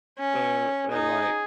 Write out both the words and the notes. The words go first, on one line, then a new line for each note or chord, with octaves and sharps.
uh, and, like
C#4
D#4 G#4